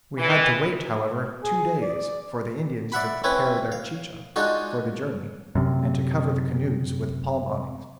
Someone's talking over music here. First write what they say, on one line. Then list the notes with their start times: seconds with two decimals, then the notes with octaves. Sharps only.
We had to wait, however, two days for the Indians to prepare their chicha for the journey and to cover the canoes with palm awnings.
0.18 E3
1.44 G#4
1.81 D5
2.92 D5 E5 F#5 B5
3.24 C4 C#4 E4 B4
3.72 F5
4.36 G#3 D4 D#4 F4 F#4
5.55 F#2 C3